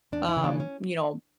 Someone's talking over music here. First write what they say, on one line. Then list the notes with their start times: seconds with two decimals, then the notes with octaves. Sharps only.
um, you know,
0.12 E2 D4
0.29 E4
0.37 C#3 E3
0.44 D4
0.60 C#4